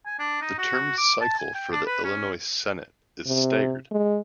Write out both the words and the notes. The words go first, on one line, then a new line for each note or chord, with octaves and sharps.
The term cycle for the Illinois Senate is staggered.
G#5
D4
D#4
F#4
D6
A5
G#5
G5
D4
B4
C#4
C3
G#3